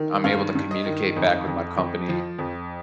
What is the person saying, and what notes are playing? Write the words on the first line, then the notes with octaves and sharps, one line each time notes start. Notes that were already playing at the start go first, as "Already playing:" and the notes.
I'm able to communicate back with my company
Already playing: D#3
G2 F5
G2
D#5
D#3
F2
F2
F2
F3
F2